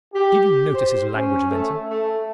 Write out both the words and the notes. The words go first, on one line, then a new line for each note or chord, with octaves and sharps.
Did you notice his language, Linton?
G4
C5
C#4
A3
A3